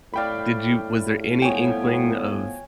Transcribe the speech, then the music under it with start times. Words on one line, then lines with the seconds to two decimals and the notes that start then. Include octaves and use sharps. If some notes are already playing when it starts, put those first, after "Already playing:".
did you was there any inkling of
0.14 A2 D5 F5 G5 B5 C#6
1.42 F3 G3 B3 C#5 G5 G#5